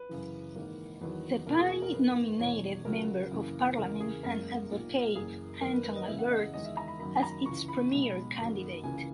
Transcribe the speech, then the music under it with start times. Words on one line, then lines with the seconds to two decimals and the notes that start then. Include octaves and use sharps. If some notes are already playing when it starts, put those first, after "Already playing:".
The party nominated Member of Parliament and advocate Anton Alberts as its premier candidate.
Already playing: B4
0.09 F#2 C#3 E3
0.55 G#1 G#2 E3 A#3
1.01 E2 D#3 F#3 B4
1.47 E2 B2 A#3 A#4
1.59 G#4
1.71 G#4
1.82 A#4
1.93 G#1 F#2 D#3 A#3 B4
2.39 E1 E2 B2 C#5
2.85 C#2 C#3 F#3 A#4
3.31 F#2 C#3 E3 A#3
3.78 E2 C#3 E3 A#4
4.00 G#4
4.23 F#1 F#2 C#3 G#3 A#4
4.69 B1 A#2 A#3
5.15 F#1 F#2 E3 A#3 G#4
5.61 F#2 D#3 A#3 A#4
5.73 B4
5.84 B4
5.96 D#5
6.07 F#1 E2 C#3 E5
6.19 F#5
6.30 D#5
6.54 E2 D#3 G#3 D#5
6.65 E5
6.77 A#5
6.88 B5
6.99 F#2 D#3 F#3 A#3 B5
7.23 A#5
7.45 C#2 C#3 E3 C#6
7.68 B5
7.92 B1 B2 G#3
8.38 F#2 D#3 F#3 A#3
8.84 C#2 C#3 E3 A#3 G#5